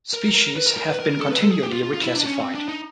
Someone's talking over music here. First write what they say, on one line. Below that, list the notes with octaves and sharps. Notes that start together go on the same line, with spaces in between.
Species have been continually reclassified.
A#4
A#4
B4
A#4
A#4
B4
A#4
A#4
A4
B4
A4
G#4
G4
F4
F4
F4
E4
D4
C#4
C4
D4
D#4